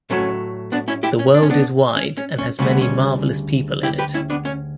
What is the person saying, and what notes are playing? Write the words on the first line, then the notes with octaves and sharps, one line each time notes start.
The world is wide, and has many marvellous people in it.
A2 F#3 A3 C#4
B3 D4
C#4 E4
E4 G4
C#4
D4
C#4
B3 D4
C#4
C#4
C#4
D2 C#3 G3 B3 C#4
B3
C#4
E4 G4
G4 B4
C#4 E4
B3 D4
C#4